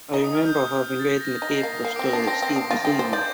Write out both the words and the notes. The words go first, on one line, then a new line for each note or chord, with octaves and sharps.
I remember having read in the paper the story that Steve was leaving.
D#4
D#6
F6
G6
A6
A#6
D#4 A#6
C7
A#3 A#6
A#3 C7
D6 D7
C4
A#6
D4 C7
C4 A#6
C4
D4
F4 A6
G4
C5
D5 G6